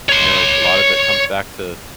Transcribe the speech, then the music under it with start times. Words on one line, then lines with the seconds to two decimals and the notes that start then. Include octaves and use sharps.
You know, a lot of it comes back to
0.09 C#5 C6